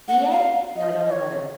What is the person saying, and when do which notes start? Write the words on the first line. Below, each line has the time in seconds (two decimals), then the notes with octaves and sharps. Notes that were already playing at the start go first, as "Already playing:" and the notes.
E-A? No, I don't know what that is.
0.08 F#5
0.32 F5
0.76 D#5
1.06 D#5
1.11 C#5